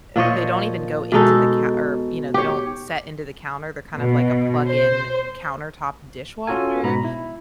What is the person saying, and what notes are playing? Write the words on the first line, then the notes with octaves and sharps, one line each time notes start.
eh, they don't even go into the ca or, you know, they don't set into the counter. They're kind of like a plug in countertop dishwasher.
A#2 F3 C#5 D#5
B2 G#3 D#4 A4
G4 C#5
B2
C5
C#4 F4 F#4 A4 G#5
G#2 B2 A#5 B5
E4